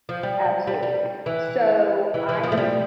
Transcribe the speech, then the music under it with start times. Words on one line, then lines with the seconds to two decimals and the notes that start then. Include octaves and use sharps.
Absolutely. So, I
0.09 F3
0.23 G3
0.67 G3
0.83 G3
1.26 E3
2.14 E3
2.29 E3
2.43 F3
2.52 A3
2.57 G3